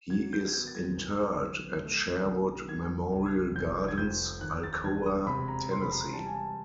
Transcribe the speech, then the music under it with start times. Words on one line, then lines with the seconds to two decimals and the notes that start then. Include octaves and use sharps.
He is interred at Sherwood Memorial Gardens, Alcoa, Tennessee.
0.10 F#3 G#6
0.33 G6
0.48 G#6
0.53 B3 G6
0.67 A6
0.75 G#6
0.97 B1
1.40 B1
1.83 A3
2.26 B1
2.69 D#3 G#6
3.12 C2
3.26 G#6
3.55 F1 G6
3.88 G#6
3.98 F2 G6
4.41 D#2 F#6
4.63 A6
4.84 E1 G#6
5.06 D#6
5.27 C3 B5
5.48 A#5
5.71 C3 C6
5.82 B5
5.92 A#5
6.13 G3 A5
6.26 G#5
6.34 A5